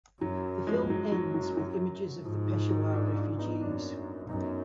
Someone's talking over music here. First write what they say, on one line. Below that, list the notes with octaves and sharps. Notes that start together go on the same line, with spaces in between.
The film ends with images of the Peshawar refugees.
F#2 F#3
F3 G#3
F#2 F#3
F#3
F#3
F#3
G#2 F3
F3
F#3
D4 F4
D4 F4
B3 D#4
F#2 A#3 D4
F#2 B3 D#4